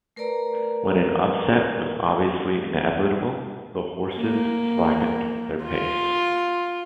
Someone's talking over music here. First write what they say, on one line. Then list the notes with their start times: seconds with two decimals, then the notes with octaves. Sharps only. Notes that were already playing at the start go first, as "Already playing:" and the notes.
When an upset was obviously inevitable, the horses slackened their pace.
0.16 A3 A#4 B4 D5 A#5
4.17 A#3
5.64 F4